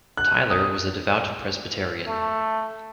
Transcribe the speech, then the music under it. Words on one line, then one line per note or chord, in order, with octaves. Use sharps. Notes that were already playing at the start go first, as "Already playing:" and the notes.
Tyler was a devout Presbyterian.
F#6
D#6
A3